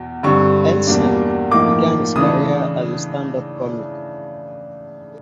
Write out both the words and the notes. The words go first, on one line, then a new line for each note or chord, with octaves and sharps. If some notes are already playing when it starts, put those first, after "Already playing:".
Henson began his career as a stand-up comic.
Already playing: E2 B2
G2 D3 G3 C4 C#6
E2 B2 G3 A#3 D4
A2 F3 A#3 D#4 D6
C#3 E3 A3 D4 D#6